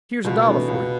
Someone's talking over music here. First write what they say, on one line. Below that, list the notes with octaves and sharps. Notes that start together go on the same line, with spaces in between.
Here's a dollar for you.
C#2 B2
C3 E3 A3 D4
C#2